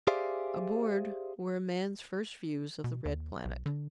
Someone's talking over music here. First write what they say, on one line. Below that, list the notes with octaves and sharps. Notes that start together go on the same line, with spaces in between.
Aboard were man's first views of the red planet.
G4 G#4 C5 D5 E5 F5
B2
D#2
B1
D3